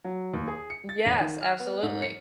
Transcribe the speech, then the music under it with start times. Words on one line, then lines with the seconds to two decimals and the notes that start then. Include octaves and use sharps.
Yes, absolutely.
0.04 F#3
0.34 D#2
0.48 G#4
0.70 C#7
0.89 A6
1.06 G#1
1.20 D#3
1.41 F6
1.59 B3
1.83 G#2
2.02 C#7